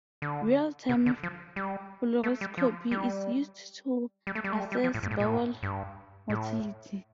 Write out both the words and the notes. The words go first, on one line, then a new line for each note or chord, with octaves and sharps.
Real-time fluoroscopy is used to assess bowel motility.
D3
C3
D3
F3
G3
A3
G3
F3
G3
G3
A3
G3
A3
G3
G3
F3
A2
G2
A2
A#2
A2
G2
A2